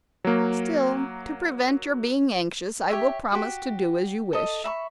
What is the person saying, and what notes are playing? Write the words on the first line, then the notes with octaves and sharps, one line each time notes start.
Still, to prevent your being anxious I will promise to do as you wish.'
F#3 A#3
G4 C#5 E5
F#4 G4
A4 D#5
E5 B5 C#6